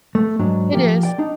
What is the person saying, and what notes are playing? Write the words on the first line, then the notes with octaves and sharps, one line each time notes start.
It is.
A3
G#2 F#3 D4
F3 A#3 G4
D5 G5
D4 D#4